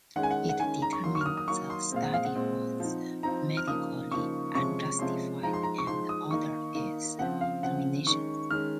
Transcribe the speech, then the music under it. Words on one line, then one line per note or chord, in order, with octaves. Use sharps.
It determined the study was medically unjustified and ordered its termination.
D#3 G#3 C#4 F#5
G#5
F#5
F#5
D#3 G#3 C#4 G#5
A#5
C#6
D#3 F#3 A#3 C6
C#6
F6
D#6
D#6
D#3 F#3 A#3 C#6
C6
A#2 G#3 C4 F5
F#5
F5
F#5
A#2 G#3 C4
F3 C4 D#4
F3 C4 D#4 A#5
F6
C#3 F3 A#3 D#4 D#6
C#3 F3 A#3 D#4 C#6
C3 F3 G#3 C#4 C#6
C3 F3 G#3 C#4 C6
F3 G#3 D#4 A#5
C6
A#5
C#6
F3 G#3 D#4 C6
D#6
D#3 A#3 D#4 C#6
D#3 A#3 D#4
C#3 F3 C4 F#5
F5
C#3 F3 C4 F#5
D#3 G#3 C#4 C#6
D#3 G#3 C#4 F6